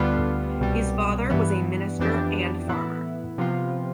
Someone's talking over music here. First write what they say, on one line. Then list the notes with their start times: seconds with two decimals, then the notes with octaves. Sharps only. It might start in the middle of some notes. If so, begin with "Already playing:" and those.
His father was a minister and farmer.
Already playing: D2 D3 G3 B3 F4
0.60 C2 B2 G3
1.30 G2 E3 B3
1.99 F2 E3 B3 D4 G4
2.68 A2 E3 B3 E4
3.38 C3 F3 B3 F4